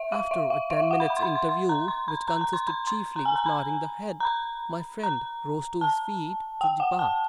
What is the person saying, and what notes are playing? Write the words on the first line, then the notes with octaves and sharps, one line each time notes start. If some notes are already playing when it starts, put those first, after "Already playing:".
After a ten minutes' interview, which consisted chiefly of nodding the head, my friend rose to his feet to depart.
Already playing: E5
F5
E5
F5
E5
F5
F#5
B5
B5
C6
B5
C6
C6
A#5
C6
B5
A#5
A#5
C6
B5
C6
A#5
G#5
A#5
B5
A#5
B5
A#5
A5
G5
F#5
A5